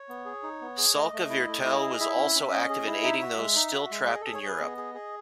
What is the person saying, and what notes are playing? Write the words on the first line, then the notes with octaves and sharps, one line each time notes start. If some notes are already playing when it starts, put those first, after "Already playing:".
Salka Viertel was also active aiding those still trapped in Europe.
Already playing: C#5
B3
G#4
D#4
B3
G#4
A3 D#5
A3
E4
A3
E4
G#4
E4 E5
C#4
C#4
C#4 D#5
G#4
E4
D#4 E5
F#4
G#3
D#4
F#4
G#3
G#4 D#5
G#4 A4
C#5
G#4 B4
B3 D#5
G#4
G#4